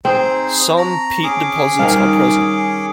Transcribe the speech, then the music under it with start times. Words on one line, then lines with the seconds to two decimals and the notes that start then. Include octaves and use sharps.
Some peat deposits are present.
0.05 C4 D#4 G#4 C5
0.77 A5 A#5 C#6
1.23 C#4 G#4 D6
1.79 D#3 G3 D#4 F5